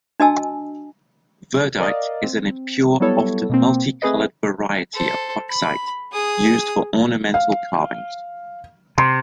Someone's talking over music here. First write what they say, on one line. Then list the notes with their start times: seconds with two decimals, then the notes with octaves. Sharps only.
Verdite is an impure often multicolored variety of fuchsite used for ornamental carvings.
0.20 D4 F#4 D#5 G#5 A5 E6
1.80 A#4 D5 D#5 F5
2.23 C4
3.00 F#3 G3 B3 E4 A4 C#5
3.50 B2 A#3 C4
4.02 A3 C4 G#4 B4 D#5
4.94 A4 C5
5.49 B5
6.12 G#4 D#6
7.34 F5
8.98 C3 C6